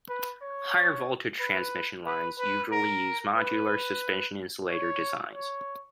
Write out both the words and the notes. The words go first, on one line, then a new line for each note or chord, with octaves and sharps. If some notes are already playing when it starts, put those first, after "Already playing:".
Higher voltage transmission lines usually use modular suspension insulator designs.
B4
C#5
B4
B4
B4
A#4
B4
C#5
C#5